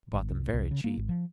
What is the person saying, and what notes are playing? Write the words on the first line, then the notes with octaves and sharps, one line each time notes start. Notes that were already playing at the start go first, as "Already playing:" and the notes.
I bought them very cheap.
G#1
C2
C2
C#3
A#3
G#1
F3